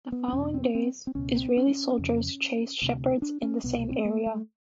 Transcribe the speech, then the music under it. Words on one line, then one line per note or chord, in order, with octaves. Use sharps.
The following days, Israeli soldiers chased shepherds in the same area.
B3
C4
E2 B2 C#4
C4
C4
C4
C#2 B2 C#4
C4
C#4
F2 C#3
D2 C3
D4
C#4
C2 B2 B3
C4
A#3
A3